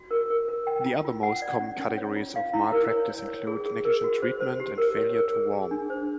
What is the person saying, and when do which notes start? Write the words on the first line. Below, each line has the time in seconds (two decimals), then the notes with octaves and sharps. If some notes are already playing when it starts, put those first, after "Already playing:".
The other most common categories of malpractice include negligent treatment and failure to warm.
Already playing: F#4
0.11 A#4
0.30 A#4
0.48 A#4
0.67 G5
0.86 F4
1.05 F4
1.23 F#5
1.42 D5
1.61 C#4
1.79 C#4
1.98 C#5
2.16 F4
2.36 F5
2.53 E4
2.72 A#4
2.92 C#5
3.10 C#5
3.28 C#5
3.47 G#4
3.65 G#4
3.85 A#4
4.04 F#4
4.22 C5
4.41 C5
4.60 G4
4.78 A#4
4.96 C#5
5.15 A#4
5.34 G#4
5.53 G#4
5.71 D4
5.90 C5